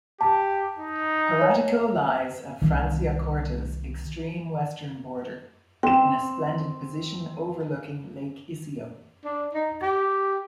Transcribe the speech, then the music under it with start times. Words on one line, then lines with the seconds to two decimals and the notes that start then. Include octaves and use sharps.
Paratico lies at Franciacorta's extreme western border, in a splendid position overlooking Lake Iseo.
0.21 G4 A5
0.78 D#4
1.41 C#5
2.62 C2 D#3
5.83 C4 G5 E7
9.25 D4
9.54 D#4
9.82 G4